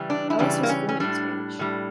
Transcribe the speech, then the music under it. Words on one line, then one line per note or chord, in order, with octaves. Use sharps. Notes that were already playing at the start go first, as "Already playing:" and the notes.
Ellis was fluent in Spanish.
Already playing: C#3 E3 G3
D4
E4
C#3 E3 G3 D4
A#3
C#4
C#4
A2 G3 D4
A2 G3